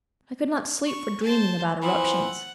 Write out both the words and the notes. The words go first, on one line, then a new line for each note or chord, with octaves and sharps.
I could not sleep for dreaming about eruptions.
C#6
C5 A5
E3 F3 C4 F#5